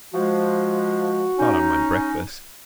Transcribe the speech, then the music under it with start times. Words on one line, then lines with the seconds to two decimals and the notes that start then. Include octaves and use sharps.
Not on my breakfast.
0.14 F3 G#3 F#4
1.37 C#4 D#4